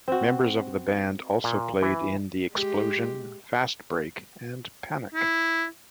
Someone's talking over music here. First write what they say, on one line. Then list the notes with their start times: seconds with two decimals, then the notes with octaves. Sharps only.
Members of the band also played in The Explosion, Fastbreak, and Panic.
0.08 C4 F#4
1.44 A#2
1.82 E3
2.53 G#3 G4
5.15 E4